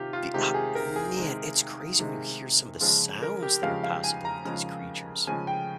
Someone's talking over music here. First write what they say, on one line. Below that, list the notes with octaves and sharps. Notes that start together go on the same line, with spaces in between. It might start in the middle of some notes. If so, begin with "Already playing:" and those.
The, uh man, it's crazy when you hear some of the sounds that are possible with these creatures.
Already playing: C3 D#3 F4 G4
F4
C3 D#3 G#3 G4
G#4
A#4
G#4
C3 D#3 G#3
C3 D#3 G#3
C#3 F3 G#3 F4
A#4
G4
C#3 F3 G#3 F5
F5
G#5
A#5
C#3 F3 G#3
C#3 F3 G#3 G#5
G5